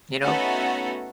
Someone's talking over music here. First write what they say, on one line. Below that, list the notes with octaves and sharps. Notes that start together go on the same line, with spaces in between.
You know?
A3 B3 C#4 D#4 F#4 A4